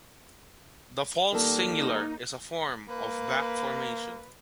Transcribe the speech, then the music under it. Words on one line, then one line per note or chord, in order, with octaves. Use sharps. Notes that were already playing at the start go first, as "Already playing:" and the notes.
The false singular is a form of back-formation.
D#3 G3 A#3 A4
D#4
A#3 B4